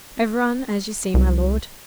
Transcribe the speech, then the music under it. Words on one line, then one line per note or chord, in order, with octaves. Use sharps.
"Everyone, as you see, my lord."
C2